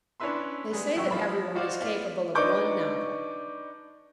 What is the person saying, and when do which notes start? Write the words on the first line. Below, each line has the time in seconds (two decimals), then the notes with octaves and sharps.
They say that everyone is capable of one novel.
0.20 C#4 D4 E4 B4 E5 C6
0.71 G3 G#3 B3
0.95 A1 F#3 E5 G5 C#6
1.11 F3 B5
1.55 F4 F#4 C5 D5 D#5 F5
1.81 B3 E4 D5 F5
2.35 D4 D#4 B4 C#6 D6 G6